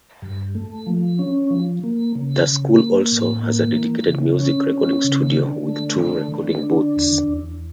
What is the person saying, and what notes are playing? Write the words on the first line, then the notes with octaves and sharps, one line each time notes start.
The school also has a dedicated music recording studio with two recording booths.
G2
A3
F3
C#4
F3
A#3
C#3
C#3
A#3
A2
A#3
E3
C#3
C#4
C#4
C#3
D3
A3
D3
D3
D4
E2
E2